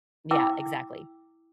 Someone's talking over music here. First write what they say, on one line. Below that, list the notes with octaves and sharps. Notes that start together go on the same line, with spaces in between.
Yeah, exactly.
E4 G5 D6 E6